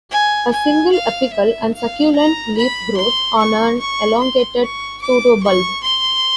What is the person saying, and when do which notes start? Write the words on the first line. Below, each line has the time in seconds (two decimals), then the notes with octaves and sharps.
A single, apical and succulent leaf grows on an elongated pseudobulb.
0.11 G#5
0.51 G#5
0.92 F5
1.33 E5
1.74 F5
2.16 A#5
2.57 B5
2.97 C6
3.39 C#6
3.79 C#6
4.21 C6
4.61 C#6
5.02 D6
5.44 C#6
5.84 C6